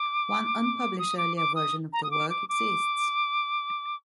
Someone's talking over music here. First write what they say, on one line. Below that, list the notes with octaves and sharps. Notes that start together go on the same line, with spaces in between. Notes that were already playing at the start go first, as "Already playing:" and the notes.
One unpublished earlier version of the work exists.
Already playing: D6
D#6
D6
D6
D#6
A#5
D#6
D6
D6
D6